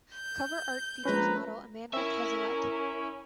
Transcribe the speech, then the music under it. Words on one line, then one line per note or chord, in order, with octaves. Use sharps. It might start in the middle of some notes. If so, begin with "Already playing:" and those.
Cover art features model Amanda Cazalet.
G6
A#1 F3 G#3 C#4 B4 A#5
C#4 E4 A#4 E5